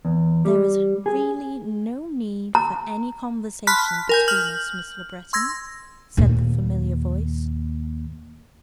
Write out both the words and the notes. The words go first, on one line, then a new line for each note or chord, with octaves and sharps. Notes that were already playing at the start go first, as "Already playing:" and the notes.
"There is really no need for any conversation between us, Miss Le Breton," said the familiar voice.
E2
G3
G#4
A#5
A5 B5 C6 F6 F#6 B6
A#4 G#5 G6
F6 G6 F#7
C6 E6 G#6 A#6
D#2 A#2